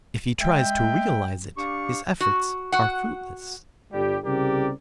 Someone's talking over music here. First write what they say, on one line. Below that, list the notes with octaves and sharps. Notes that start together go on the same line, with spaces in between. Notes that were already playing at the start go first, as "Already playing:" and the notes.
If he tries to realize it his efforts are fruitless.
G#3 E5 G5
D4 G4 F5 C#6
F#4
F#4 F#5
G1 G3 G4
C2 C#3 C4 G4 A#4 D5